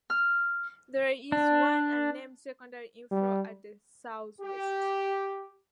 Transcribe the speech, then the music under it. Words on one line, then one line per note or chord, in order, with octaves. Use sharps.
There is one unnamed secondary inflow at the southwest.
F6
D4
G3
G4